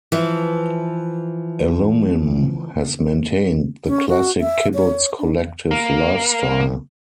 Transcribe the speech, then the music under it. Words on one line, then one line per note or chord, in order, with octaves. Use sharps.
Alumim has maintained the classic kibbutz collective life style.
E3 F3
C#4
F#4
E5
C#5
D4
A#3